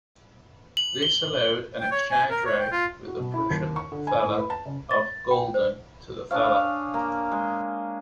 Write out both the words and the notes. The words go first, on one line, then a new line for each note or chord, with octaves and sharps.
This allowed an exchange rate with the Prussian Thaler of Gulden to the Thaler.
F#7
G7
G5
C#5
G#5
A#4
C#5
G5
F4
F#4
B2
E4
D#2
C#6
D3
G#5
A2
B4
A5
C#3
A6
G5
C5
D4 G#4 C#5 F5
A#3
G#3